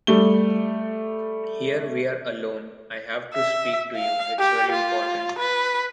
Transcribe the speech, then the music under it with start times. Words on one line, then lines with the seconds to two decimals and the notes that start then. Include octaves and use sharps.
Here we are alone, I have to speak to you; it’s very important.
0.07 G3 A3 G7
3.34 E5
3.97 F5
4.39 G4
4.72 F4
5.39 B4